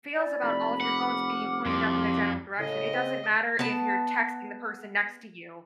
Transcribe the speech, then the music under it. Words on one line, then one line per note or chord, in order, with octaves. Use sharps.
feels about all of your phones being pointed up in their general direction. It doesn't matter if you're texting the person next to you.
E4 D5 G#5
F1 B5
F#5 D6 F6
C2 F2 C6
A2 C#3 D#5
C4
B3 A5